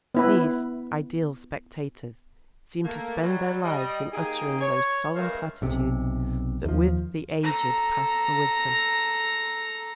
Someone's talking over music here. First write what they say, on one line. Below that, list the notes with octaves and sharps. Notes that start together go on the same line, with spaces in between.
These 'ideal spectators' seem to spend their lives in uttering those solemn platitudes that with the aged pass for wisdom.
B3 E4 B4
A3 A#3
F#3 G3
G3 D#5
A#3 D#4 G4 G#4
C#5
G2 G#3 C#4 A#4 E5 F5
B1 C3
D#2 F3
A4 A#5